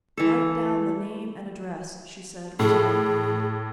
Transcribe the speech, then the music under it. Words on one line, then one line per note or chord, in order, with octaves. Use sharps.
"Write down the name and address," she said resignedly.
E3 A4
A2 G#4